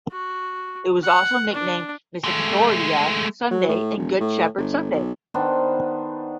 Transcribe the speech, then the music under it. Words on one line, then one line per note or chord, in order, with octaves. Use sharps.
It was also nicknamed Misericordia Sunday and Good Shepherd Sunday.
F#4
F#5
D4
G#3 A3
F#3
A2
E1
A2
G1
B1
D#3 B3 D4 C5